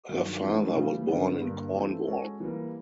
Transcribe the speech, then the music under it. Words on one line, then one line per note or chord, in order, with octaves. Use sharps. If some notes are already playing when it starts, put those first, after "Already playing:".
Her father was born in Cornwall.
G2 D#3 F#3
G#2 E3 A3 D4
C#3 E3 G3
G2 D3 G3 B3 D4
G2 D3 G3 A#3
E3 A3 C4 F4
G#3 C#4 F#4 A4
E3 G3 A#3